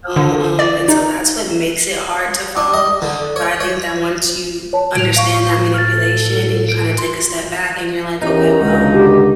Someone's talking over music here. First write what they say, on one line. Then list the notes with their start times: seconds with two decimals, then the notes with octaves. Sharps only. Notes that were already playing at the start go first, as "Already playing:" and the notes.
so, um, and so that's what makes it hard to follow, but I think that once you understand that manipulation and you kinda take a step back and you're, like, "Okay, well,
0.16 D3
0.59 D5
0.88 D#4
2.57 D4
2.74 D#5
3.02 D3
3.36 C#5
3.60 C#5
4.73 C#5 A5
4.95 A2 D7 F7
5.16 F5 C#6
5.74 A4 F6 A6
6.69 D7
6.98 F4 C6
8.22 E2 C#4 D#4 G4 A#4
8.60 C#2 B2 D3 F#3 A#3
8.92 D#3 F#4 G4